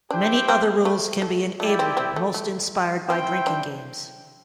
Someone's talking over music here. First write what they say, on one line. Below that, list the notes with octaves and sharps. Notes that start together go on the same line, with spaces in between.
Many other rules can be enabled, most inspired by drinking games.
D4 E4 G4 C5 G5
C4
A3
A3
A3 E4 G4 D5 G5
C4
C4
A3
A3
C4 E4 C5 G5
D4